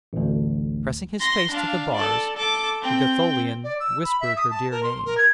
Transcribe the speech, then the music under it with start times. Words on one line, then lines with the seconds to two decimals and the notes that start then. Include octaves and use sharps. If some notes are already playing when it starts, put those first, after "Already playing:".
Pressing his face to the bars the Gatholian whispered her dear name.
0.13 A1 D2
1.20 C6 A#6
1.51 D4 F5
1.94 A4 D5
2.36 A4 D6
2.82 C4 G5
3.64 D5
3.80 E6
4.04 B5
4.20 E5
4.36 D#6
4.50 A5
4.70 A#4
4.83 C6
5.05 A#4
5.17 G#6